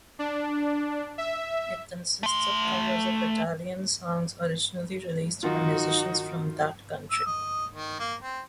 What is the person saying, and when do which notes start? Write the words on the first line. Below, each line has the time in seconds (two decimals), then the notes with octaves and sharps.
It consists of covers of Italian songs originally released by musicians from that country.
0.19 D4
1.18 E5
2.23 A3 C6
5.43 D#3 F#3 D#4 F4 F#4
7.11 E6
7.26 D#5
7.73 D#3
7.99 A#3
8.22 C4